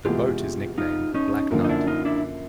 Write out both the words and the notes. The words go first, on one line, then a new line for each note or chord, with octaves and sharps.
The boat is nicknamed "The Black Knight".
F2 C3 E3 G#3 B3 F4 G4
D#4 F4
C#4 D#4
F#2 D3 F3 A#3
D#4
D4 E4
D#4 F4
D4 E4